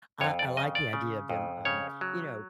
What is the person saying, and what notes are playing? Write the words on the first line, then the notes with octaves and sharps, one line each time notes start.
I I like the idea of them, um, you know,
F2 C#5
D5
C#3 D#5
D5
C#3
F2
C#3 C#5
F#3